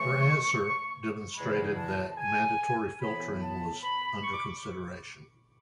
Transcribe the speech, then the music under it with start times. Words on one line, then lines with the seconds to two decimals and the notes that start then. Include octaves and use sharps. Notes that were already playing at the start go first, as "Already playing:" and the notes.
Her answer demonstrated that mandatory filtering was under consideration.
Already playing: C#3 E3 A3 C#6
1.36 E2 C#3 E3 G#3 B5
1.77 A5
2.18 G#5
3.00 A2 E3 B3 B5
3.41 A5
3.83 B5
4.23 C#6
4.33 D6